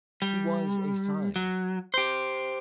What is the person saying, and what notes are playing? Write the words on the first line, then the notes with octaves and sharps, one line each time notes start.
He was a Sign.
G3
F#3
G4 C5